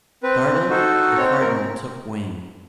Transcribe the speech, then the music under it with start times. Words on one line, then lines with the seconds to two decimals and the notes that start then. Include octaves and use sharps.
Startled, the Cardinal took wing.
0.23 C4 B4
0.70 D#4 F#4 A4 C5
1.17 C4 C#5
1.41 A#4